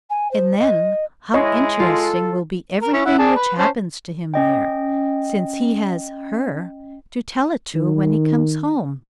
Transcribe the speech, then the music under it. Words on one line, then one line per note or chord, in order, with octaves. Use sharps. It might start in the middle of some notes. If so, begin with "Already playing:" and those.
And then how interesting will be everything which happens to him there, since he has Her to tell it to when he comes home.
G#5
C5
D#5
G#3 E4 C#5 D#5 C#6
F4 A4
A#4
C#4 E4
E4 F#5
G#4 D5 A5
B4
C#4 C5 A5
C#4 D#5 G5
D#3